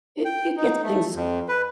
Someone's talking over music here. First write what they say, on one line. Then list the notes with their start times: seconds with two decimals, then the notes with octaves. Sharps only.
it it gets things
0.25 G5
0.57 D#4
0.83 A3
1.16 F2
1.49 B4